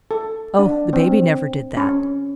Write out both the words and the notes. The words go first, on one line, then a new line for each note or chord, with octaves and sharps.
Oh, the baby never did that.
A4
D4
C4
C#4